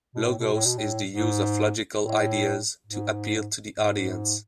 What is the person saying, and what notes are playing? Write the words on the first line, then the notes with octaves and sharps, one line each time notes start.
Logos is the use of logical ideas to appeal to the audience.
B2
A2
B2
A2
B2
A2
G#2
A2
G#2
G#2